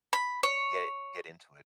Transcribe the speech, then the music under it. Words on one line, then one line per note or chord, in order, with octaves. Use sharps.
get get into it.
B5
C#5